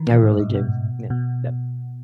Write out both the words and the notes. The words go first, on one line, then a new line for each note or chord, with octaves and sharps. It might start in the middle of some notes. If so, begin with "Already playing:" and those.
I really do. Yeah, yeah.
Already playing: D#3 E3
B2
A2
G#2
B2
B2